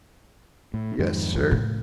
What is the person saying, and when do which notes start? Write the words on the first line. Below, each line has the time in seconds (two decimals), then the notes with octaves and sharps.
"Yes, sir."
0.74 A2
0.99 F2 G#2 D#3
1.35 D2
1.51 A2 C#3